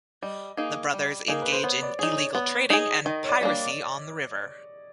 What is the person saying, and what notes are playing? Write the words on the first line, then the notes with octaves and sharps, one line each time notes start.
The brothers engage in illegal trading and piracy on the river.
G3 D#5
A#3 D#4 G#4
G3
A#3 D#4 G#4 A#4
B4
C5
B3 C#5
D5
D#4 G#4 C#5
C#5
B3
D#4 G#4
D#3 D#5
C#5
D5
G3 A#3 D4